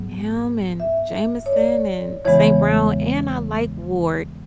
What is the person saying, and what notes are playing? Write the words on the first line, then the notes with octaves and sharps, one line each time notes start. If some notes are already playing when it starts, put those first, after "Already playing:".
him and Jameson and St. Brown, and I like Ward.
Already playing: G#2 F#3 B3
E5
C#5
D5
E2 C#3 E3 G#3 B3 C#5